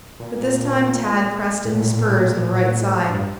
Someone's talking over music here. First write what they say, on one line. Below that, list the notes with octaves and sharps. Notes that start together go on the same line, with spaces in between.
But this time Tad pressed in the spurs on the right side.
A#2
A2
A#2
A2
A#2
A2
A#2
A2
A#2
A2
A#2
A2
A#2
A2
A#2
A2
A#2
A2
G2